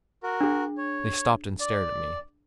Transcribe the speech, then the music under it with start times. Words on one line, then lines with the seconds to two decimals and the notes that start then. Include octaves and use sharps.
They stopped and stared at me.
0.23 F#4 A#4
0.41 D4 G#4
0.78 C#5
1.60 D5